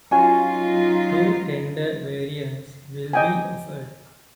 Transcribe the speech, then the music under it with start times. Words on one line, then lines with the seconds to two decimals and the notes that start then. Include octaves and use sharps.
Two tender variants will be offered.
0.11 F#3 C#4 D#4 F4 F#4 G#5
3.13 D#5 G5 G#5